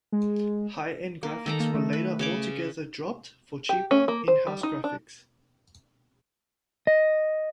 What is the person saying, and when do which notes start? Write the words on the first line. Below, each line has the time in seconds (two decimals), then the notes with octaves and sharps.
High end graphics were later altogether dropped for cheaper, in-house graphics.
0.12 G#3
1.23 A#3
1.46 D#3 A4 A#5
1.60 A#3
1.75 A3
1.93 B4
2.19 C#3 C#5 D6
3.69 G4
3.91 C#4
4.08 A#3
4.28 C5
4.47 G3
4.63 D#4
4.84 D4
6.87 D#5